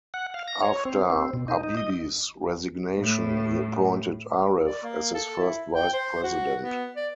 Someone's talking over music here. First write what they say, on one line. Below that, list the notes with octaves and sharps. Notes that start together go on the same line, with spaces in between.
After Habibi's resignation, he appointed Aref as his First Vice President.
F#5
F5
A#6
C#5
C4
C4
B2
D#4
D#4
D#5
A2
D5
A#3
A4
E4
G5
C5
F#4
B3
D5